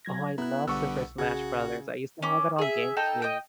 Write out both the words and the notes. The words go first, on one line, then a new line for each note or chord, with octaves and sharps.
Oh, I love Super Smash Brothers, I used to have it on Gamecube.
F#3 G#6 A#6
B3 E4 A#5 F#6
B1 D3 G3 B3 F#5 C#6 E6
C#3 F#4 G#6
C#4 D6
G#4 E5
D#4 A4 G5
D#5 G5